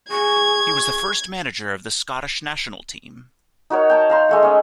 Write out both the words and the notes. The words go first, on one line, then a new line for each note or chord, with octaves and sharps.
He was the first manager of the Scottish national team.
G#4 C#6 G#6
D#4 F#4 A#4 C#5
G5 A5 A#5
F5 A#5 C6
G#3 A3 F#5
C#4 D#5